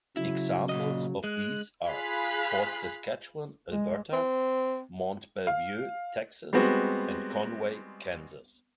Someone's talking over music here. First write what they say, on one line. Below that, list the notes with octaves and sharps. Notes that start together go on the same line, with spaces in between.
Examples of these are Fort Saskatchewan, Alberta; Mont Belvieu, Texas; and Conway, Kansas.
C#3 F#3 E4
A#2 E3 D#5
G#3 F#6
F4 G#4 F5 B5 F#6 B6
G#3
C4
F5
G3 G#3 B3 C4 F#4